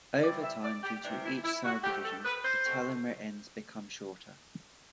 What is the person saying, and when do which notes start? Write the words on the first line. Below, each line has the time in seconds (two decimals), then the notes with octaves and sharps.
Over time, due to each cell division, the telomere ends become shorter.
0.24 C3 E3 G3 C4 D5
0.43 E5
0.63 D5
0.83 G4
1.04 C3 E3 G3 C4 D4
1.24 E4
1.44 E4
1.64 F#4
1.84 B2 A3 C4 G4
2.04 A4
2.25 B4
2.44 C5
2.64 B2 A3 C4